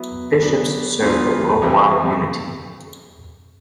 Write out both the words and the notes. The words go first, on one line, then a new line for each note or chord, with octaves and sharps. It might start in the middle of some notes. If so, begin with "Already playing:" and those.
Bishops serve the worldwide Unity.
Already playing: F#3 B3 E4
F#3 B3 D4
D3 F#3 B3 D4 F4
F2 C3 E3 G3 C4